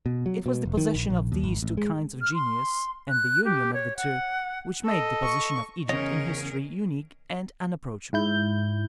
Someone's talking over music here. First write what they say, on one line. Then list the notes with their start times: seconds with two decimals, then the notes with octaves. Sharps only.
It was the possession of these two kinds of genius and the union of the two which made the position of Egypt in history unique and unapproachable.
0.06 B2
0.26 F#3
0.46 B2
0.65 F1
0.77 D#3
0.95 A#1
1.10 A#1
1.32 D#2
1.44 G#1
1.62 A1
1.77 G#3
2.22 F6
2.34 C6
3.09 F#6
3.45 G4
3.74 C#5
3.97 F#5
4.84 A4 D#5
5.23 C#6
5.89 E2 C#3 C#4 D#4 G#4 A#4 C#5 D#5
8.13 G#2 E4 G6